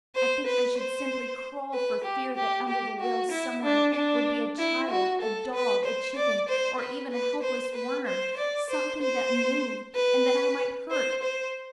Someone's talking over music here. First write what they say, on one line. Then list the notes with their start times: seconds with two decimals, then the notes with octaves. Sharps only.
I think I should simply crawl for fear that under the wheels somewhere would be a child, a dog, a chicken, or even a helpless worm--something that moved and that I might hurt.
0.15 C5
0.46 B4
0.78 C5
1.74 B4
2.04 G4
2.36 G4
2.69 G4
3.00 F#4
3.31 E4
3.63 D4
3.94 D4
4.59 E4
4.90 F#4
5.22 A4
5.54 B4
5.85 C5
6.16 D5
6.49 C5
6.79 B4
7.12 B4
7.43 C5
7.75 B4
8.07 C5
8.38 D5
8.70 C5
9.02 C5
9.96 B4
10.91 C5
11.23 C5